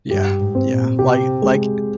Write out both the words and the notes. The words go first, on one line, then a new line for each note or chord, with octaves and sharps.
Yeah, yeah. Like like,
G2 G4
G#2
C4
A#2
C3 G4
G#3